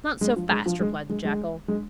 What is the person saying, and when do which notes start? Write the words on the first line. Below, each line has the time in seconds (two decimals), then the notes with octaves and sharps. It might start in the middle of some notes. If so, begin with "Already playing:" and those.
'Not so fast,' replied the jackal.
0.21 G#3
0.36 F3
0.50 G#3
0.66 F3
0.80 G#3
1.09 G#3
1.25 G#3
1.68 G#3